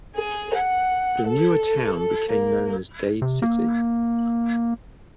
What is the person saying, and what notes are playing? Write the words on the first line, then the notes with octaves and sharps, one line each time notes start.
The newer town became known as Dade City.
G#4
F#5
A4
A4
A#3
C3
A#3